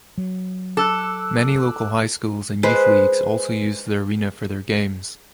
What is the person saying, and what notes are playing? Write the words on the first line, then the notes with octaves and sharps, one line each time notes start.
Many local high schools and youth leagues also use the arena for their games.
F#3
A4 D6 E6 F#6
G#3 B4 C5